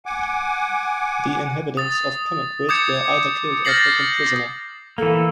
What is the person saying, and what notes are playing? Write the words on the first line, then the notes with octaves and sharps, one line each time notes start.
The inhabitants of Pemaquid were either killed or taken prisoner.
F#5 G#5 D6
D#6 A6
D6 D#6 G6 G#6 C#7
F6 G6 A6 A#6 C7 F#7
E3 A#3 A4